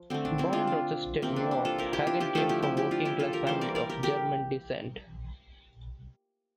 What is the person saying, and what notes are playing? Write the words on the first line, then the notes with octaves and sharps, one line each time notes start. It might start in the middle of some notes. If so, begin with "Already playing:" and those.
Born in Rochester, New York, Hagen came from a working-class family of German descent.
Already playing: F3
D3 A3 C4
D4
C4 E4
D4 F4
D4
C3 E3 A#3 C4
D4
D4
F4 A4
G4 A#4
E4 G4
D4 F4
E4 G4
D3 F3 A3 F4 A4
E4 G4
E4 G4
E4 G4
D4 F4
E4 G4
F4 A4
G4 A#4
E3 G3 A#3 A4 C5
A#4 D5
A#4 D5
G4 A#4
G4 A#4